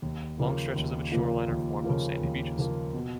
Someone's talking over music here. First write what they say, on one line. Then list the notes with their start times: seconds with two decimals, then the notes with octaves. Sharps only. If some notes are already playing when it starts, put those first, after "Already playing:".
Long stretches of its shoreline are formed of sandy beaches.
0.02 D#2
0.39 C#3 F3 A#3 F4
0.76 D#2
1.12 C#3 F3 A#3 F4
1.49 D#2
1.84 C#3 F3 A#3 F4
2.21 D#2
2.58 C#3 F3 A#3 F4
2.94 B2